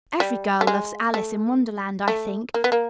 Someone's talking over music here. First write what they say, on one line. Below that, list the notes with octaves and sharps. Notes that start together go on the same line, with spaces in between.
Every girl loves 'Alice in Wonderland,' I think.
G3
A3
G#3
A3
A3
A#3
B3
A#3